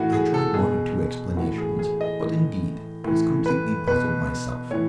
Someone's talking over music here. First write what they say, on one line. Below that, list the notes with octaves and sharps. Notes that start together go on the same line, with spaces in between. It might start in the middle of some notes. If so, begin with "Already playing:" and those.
I tried one or two explanations, but, indeed, I was completely puzzled myself.
Already playing: A2 E3 F#4
G#4
A4
B2 G#4
A2 E3 F#4
G#4
G#4
D#5
A2 E3
A2 E3
B4
B2 B4
A2 E3 C#5